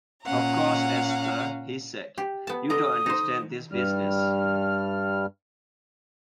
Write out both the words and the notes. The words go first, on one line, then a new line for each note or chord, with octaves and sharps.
"Of course, Esther," he said, "you don't understand this business?"
A#2 C#4 F5 F#5 A#5
G4
B3 A5
D3 A#5 D#6
D#4 C5
G2 G3 F6